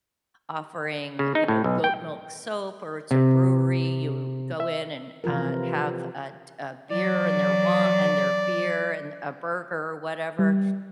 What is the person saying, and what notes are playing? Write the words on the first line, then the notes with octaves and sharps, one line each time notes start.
offering, you know, goat milk soap or it's a brewery, you go in and, uh, have a t a beer and their wi and their beer and a burger or whatever.
C#3
D#4
A2
B1
G5
C3
E5
C3 E3 F3 F4 A#4
E3 F#3 D5
G3